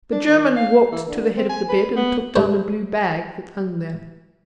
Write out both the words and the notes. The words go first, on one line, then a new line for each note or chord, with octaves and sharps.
The German walked to the head of the bed and took down a blue bag that hung there.
D4
D#3
F5
E3
D3
C4
G#5
B4
B3
G2 G3 D4 C5